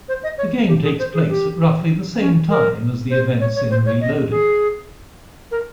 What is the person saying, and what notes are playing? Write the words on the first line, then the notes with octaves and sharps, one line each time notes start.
The game takes place at roughly the same time as the events in "Reloaded".
C5
D#5
C#5
G4
G#4
C5
G#4
G4
C#4
A#4
C5
C#5
C#5
C5
C#5
D#5
G#4
A#4